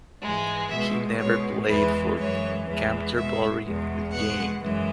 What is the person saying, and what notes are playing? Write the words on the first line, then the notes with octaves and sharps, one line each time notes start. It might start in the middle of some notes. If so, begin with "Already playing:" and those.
He never played for Canterbury again.
G#2 E3 G#3
B2 G#3 E5
B2 G#3 C#5
E2 E3 G#3 B4
F#2 E3 G#3 C#5
E2 E3 G#3
B2 G#3 E5
E2 B2 G#3
B2 G#3 F#5
F#2 E3 G#3